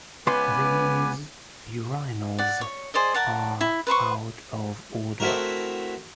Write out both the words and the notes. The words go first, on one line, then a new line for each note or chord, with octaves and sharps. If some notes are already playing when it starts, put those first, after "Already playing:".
These urinals are out of order.
C#2 B3 B4 G#5 C6 D6
D5 F#5
C#5
G#4 C5 D5 D#5
A#4 D5 F#5 A5
E4
B4 C5 B5 C#6
A3 C4 E4 F#4 A#4